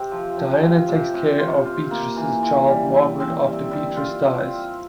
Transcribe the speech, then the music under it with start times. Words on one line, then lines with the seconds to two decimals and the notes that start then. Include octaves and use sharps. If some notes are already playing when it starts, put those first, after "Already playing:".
Diana takes care of Beatrice's child Margaret after Beatrice dies.
Already playing: C3 C4
0.12 F3
0.37 F3
0.63 F3
0.88 C3
1.14 C3
1.40 F4
1.66 F4
1.91 A#3
2.16 E3
2.43 E3
2.68 G3
2.94 C4
3.20 C4
3.45 G3
3.71 G3
3.97 F4
4.22 C4